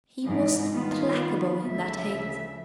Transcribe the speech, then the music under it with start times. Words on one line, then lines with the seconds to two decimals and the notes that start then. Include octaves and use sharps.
He was implacable in that hate.
0.25 G#2 C3 E3
0.72 D#3 G3 B3 F4
1.68 D2 C#3 F3 E5